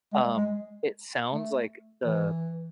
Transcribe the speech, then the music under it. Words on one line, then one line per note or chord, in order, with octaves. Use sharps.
um, it sounds like, the
G#3
G#3
A3
E3